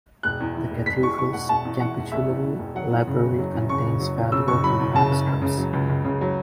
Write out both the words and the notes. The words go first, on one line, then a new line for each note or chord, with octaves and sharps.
The cathedral's Capitulary Library contains valuable manuscripts.
E1 F#6
E2
E3
E1
E1 B6
E2 C#6
E3 C#6
E1 F#5
E1 A5
E2
E3 F#5
E1
E1 E5
E2
E3
E1
F#3 F#5
E2
C#3
F#1
F#3
E2
C#3 C#6
F#1
F#3
E2
C#3 E6
F#1 C#6
F#3 B5
E2
C#3 A5
F#1
C#2
C#3
F#3
C#2
C#2
C#3
F#3